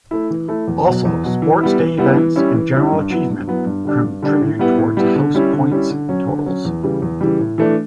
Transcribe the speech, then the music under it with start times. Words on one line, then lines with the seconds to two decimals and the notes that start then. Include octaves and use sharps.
Also, sports day events and general achievement contribute towards house points totals.
0.11 A3 E4
0.30 E3
0.48 A3 E4
0.68 E2
0.86 B2 F#3
1.05 E2
1.23 B2 F#3
1.42 E3
1.61 G3 B3 E4
1.80 E3
1.98 G3 B3 E4
2.17 E3
2.36 G3 C#4 E4
2.54 E3
2.73 G3 C#4 E4
2.92 G2
3.10 F#3 B3 E4
3.29 G2
3.47 F#3 B3 E4
3.66 G2
3.85 D3 G3 D4
4.03 G2
4.22 D3 G3 D4
4.41 A2
4.59 G3 B3 E4
4.78 A2
4.97 G3 B3 E4
5.15 D3
5.34 G3 C#4 E4
5.53 D3
5.71 G3 C#4 E4
5.90 D3
6.09 F#3 C#4
6.27 D3
6.46 F#3 C#4
6.65 E2
6.83 C#3 E3 G3
7.02 E2
7.21 C#3 E3 G3
7.39 A2
7.58 E3 A3 D4